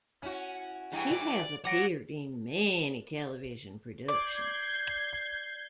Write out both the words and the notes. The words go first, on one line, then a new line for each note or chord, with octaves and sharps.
She has appeared in many television productions.
C#4 E4 F#4
E2 G2 E3
D5
F#3 F#5 D6 A#6 D7
D5 G6 G#6 C7